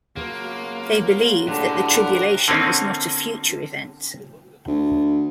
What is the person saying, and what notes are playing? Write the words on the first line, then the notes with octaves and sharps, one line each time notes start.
They believe that the tribulation is not a future event.
C#3 F#3 A#3 F4
A2 D3 G4 F#5 A#5
A#4
D3 A#3 C4 C#4 D#4
D2